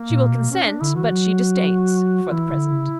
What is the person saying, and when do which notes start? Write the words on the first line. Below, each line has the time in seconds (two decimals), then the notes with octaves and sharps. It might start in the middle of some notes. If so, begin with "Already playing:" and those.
She will consent, but she disdains--for the present.
Already playing: A#3
0.10 A#2
0.30 B2
0.51 C#4
0.66 D4
0.81 D3 E4
0.96 E3 F#4
1.12 F#3
2.31 E3 E4
2.52 D3
2.72 C#3